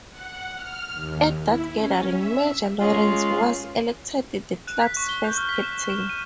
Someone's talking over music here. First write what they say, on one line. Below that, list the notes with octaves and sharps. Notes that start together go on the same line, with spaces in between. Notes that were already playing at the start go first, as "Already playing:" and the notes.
At that gathering Major Lawrence was elected the club's first captain.
F#5
F6
D#2
E4
C#4
E5
G#3 C#4 F4 G#4
F#6
B6
C#6
G7
G6
F6
B6
E7
E7
D#7